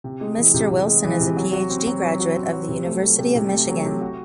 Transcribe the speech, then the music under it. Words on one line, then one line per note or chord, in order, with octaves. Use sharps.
Mr. Wilson is a Ph.D. graduate of the University of Michigan.
C3
G#3
E3
C3
C3
G#3
E3
C3
F#3
F#4
C4
F#3
F#3
F#4
C4
F#3
C3
A3
F#3
C3
C3
A3
F#3
C3
F#4